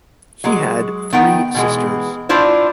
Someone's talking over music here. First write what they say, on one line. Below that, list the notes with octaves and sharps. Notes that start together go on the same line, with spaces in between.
He had three sisters.
F#3 G#3
D#3 B3 F#5 G5
B2 E3 G#3
D4 E4 F4 C5